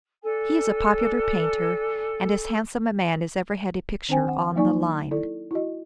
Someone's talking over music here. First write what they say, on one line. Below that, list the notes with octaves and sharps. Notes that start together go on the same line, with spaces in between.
He is a popular painter, and as handsome a man as ever had a picture "on the line."
D4 A4 G#5
D#3 C4 D4 C5 G5 G#5
F#5
F#3 A#3 D#4 D5 G#5 C#6
E4 A4 D5
E4 F#4 D#5